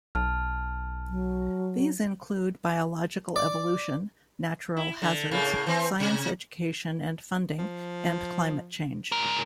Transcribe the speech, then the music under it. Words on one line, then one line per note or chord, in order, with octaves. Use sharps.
These include biological evolution, natural hazards, science education and funding, and climate change.
B1 A5 F6
F#3
D5
E4
D3
A2 C#3 A#3
E3 C4
C3
F3
G#2 A#4